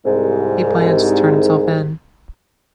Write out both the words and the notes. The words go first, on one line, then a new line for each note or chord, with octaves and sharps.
He plans to turn himself in.
C2 G#2